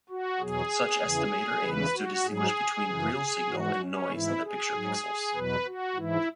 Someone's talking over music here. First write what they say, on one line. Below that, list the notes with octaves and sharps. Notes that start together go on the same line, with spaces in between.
Such estimator aims to distinguish between real signal and noise in the picture pixels.
F#4
E2 B2 F#3 G#4
E2 C#3 E3
E2 C#3 E3 B4
F#4
G#2 F#3 G#4
F#2 C#3 E3
G#2 E3 F#4
C#4
G#2 E3 E4
G#4
G#2 F#3
E2 B2 F#3 B4
F#4
G#2 E3 E4